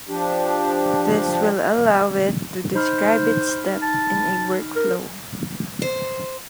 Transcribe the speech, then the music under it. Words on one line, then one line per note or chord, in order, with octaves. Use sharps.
This will allow it to describe its step in a workflow.
F3 D4 G4
D#4 C5 B5 F6
A5
A#4
C5